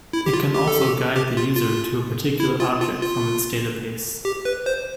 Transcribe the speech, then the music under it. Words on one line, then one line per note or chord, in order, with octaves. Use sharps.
It can also guide the user to a particular object from its database.
E4
G4
F4
G4
A4
G4
G4
F4
F4
E4
F4
F4
F4
G4
B4
C5